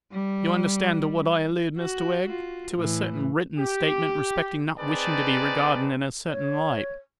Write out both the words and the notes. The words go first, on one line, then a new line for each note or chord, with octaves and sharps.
You understand to what I allude, Mr Wegg? To a certain written statement respecting not wishing to be regarded in a certain light.
G3
F#4
F4 F#4
A2 E3
G4
C4 D#4 G#4 B4 D5 A5
C#5